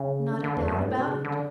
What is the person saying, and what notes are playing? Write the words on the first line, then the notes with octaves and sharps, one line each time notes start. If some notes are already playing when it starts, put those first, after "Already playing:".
"Not a doubt about it."
Already playing: C#3
D3
D3
E2
F#2
G2
A2
B2
C#3
D3